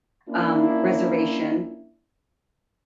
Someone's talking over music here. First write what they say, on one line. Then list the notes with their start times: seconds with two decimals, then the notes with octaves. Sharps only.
um, reservation,
0.28 A#3 C#4 D4 E4